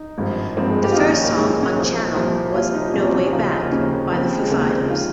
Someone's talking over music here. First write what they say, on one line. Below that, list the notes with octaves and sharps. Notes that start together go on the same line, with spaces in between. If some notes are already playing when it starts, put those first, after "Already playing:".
The first song on "Channel" was "No Way Back" by The Foo Fighters.
Already playing: D#4
G#1 G2 F3
G#1 G2 F3 C4
G#3
G4
F4
A#1 G#2 D#3 D#4
C#4
A#3
A#1 G#2 D#3 G#3
A#3
C#4
C2 A#2 F3 D#4
C2 A#2 F3
C2 A#2 F3 F4
D#4
C2 A#2 F3 C#4
C4
C#4
D#4
D#2 C#3 F3 F4
D#4
F4
A#3
D#2 C#3 F3 C#4
A#3
D#2 C#3 F3 C4
G#3
D#2 C#3 F3 A#3
C4
D#3 F4